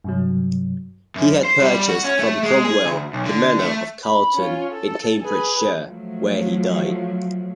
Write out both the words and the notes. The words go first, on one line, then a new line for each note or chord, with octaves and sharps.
He had purchased from Cromwell the manor of Carleton in Cambridgeshire, where he died.
G2 C3 F#3
F#2
C5
G3
F#4
C#4
A3
G#3
G#4
D2
B1
D3
A3
B5
C#4 F4
A4
G#4 B4
F3 F#3 A3